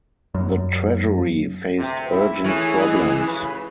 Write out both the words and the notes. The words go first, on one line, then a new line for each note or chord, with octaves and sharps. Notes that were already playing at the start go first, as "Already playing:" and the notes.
The Treasury faced urgent problems.
F#2
D2 C3
E4
E3 A3 C#4 G#4
G#3 G#4
A1 C#3 B4